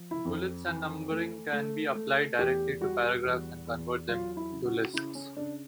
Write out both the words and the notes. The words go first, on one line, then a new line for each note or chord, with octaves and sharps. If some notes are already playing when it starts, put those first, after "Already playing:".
Bullets and numbering can be applied directly to paragraphs and convert them to lists.
Already playing: F3
E4
F2
E3
A3
A3
A3
E2 G4
G3 F#4
E2
E2
F#3 F4
E4
C#3
F#4
C#3 E4
C#4
C#3 D4